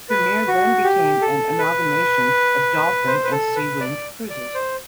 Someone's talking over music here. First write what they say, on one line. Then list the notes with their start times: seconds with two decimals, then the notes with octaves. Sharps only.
Premier then became an amalgamation of Dolphin and Seawind Cruises.
0.10 B4
0.48 F#4
0.84 G4
1.21 A4
1.59 B4
3.07 C5
3.24 B4
3.32 A4
3.56 B4
3.80 D5
4.30 D5
4.55 C5